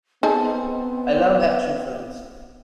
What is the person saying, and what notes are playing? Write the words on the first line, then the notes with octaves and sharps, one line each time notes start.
I love action films.
B3 C4 D#4 G#4 A4